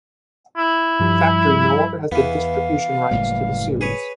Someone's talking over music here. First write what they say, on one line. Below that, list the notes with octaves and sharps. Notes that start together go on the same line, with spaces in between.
Factory no longer has the distribution rights to the series.
E4
G2 F3 G3
E2 E3 B3 F5
F#1 A2 G3
G#4 B4 C#5